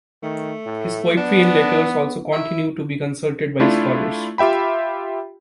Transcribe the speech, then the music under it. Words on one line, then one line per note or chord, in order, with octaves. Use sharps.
His poetry and letters also continue to be consulted by scholars.
D#3 A3
A2
B3 D4
E4
A3 D4 E4 F4
F4 G4 E5 G5 B5